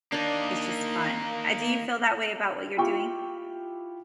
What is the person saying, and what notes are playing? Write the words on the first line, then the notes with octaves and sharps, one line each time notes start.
it's just fun. I Do you feel that way about what you're doing?
A#3 D4 D#4 D5
E4 F4 G4 G5 C#6